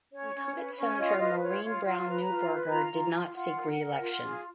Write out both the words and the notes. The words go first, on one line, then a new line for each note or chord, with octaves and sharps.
Incumbent Senator Maurine Brown Neuberger did not seek re-election.
C#4 C#5
C#4
B4
C#4 C#5
F4 D#5
B4 D#5
F4 C#5
F4
F4
B4 A#5
F4
B4
F4 A#5
F4
F4
F4 F#5
A#4
A#4
F4
G#4